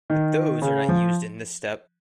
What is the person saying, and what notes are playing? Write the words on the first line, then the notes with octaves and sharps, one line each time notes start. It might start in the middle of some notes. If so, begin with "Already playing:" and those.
But those are not used in this step.
D#3
C#3
F3